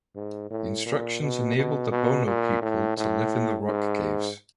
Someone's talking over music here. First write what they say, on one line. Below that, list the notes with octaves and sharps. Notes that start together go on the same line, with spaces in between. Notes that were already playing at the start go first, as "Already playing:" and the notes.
The instructions enabled the Bono people to live in the rock caves.
G#2
A2
A#2
B2
B2
B2
A#2
A2
A2
G#2